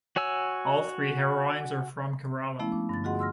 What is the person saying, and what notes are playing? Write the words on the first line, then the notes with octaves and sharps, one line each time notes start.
All three heroines are from Kerala.
F#4 C#5 G#5 E6
F3 G#3 A3 B3 C#4 E4
D4
G2 D3 A6
F4 F#4 G#4 D#5 F#5 C6
C6 E6 F6 A#6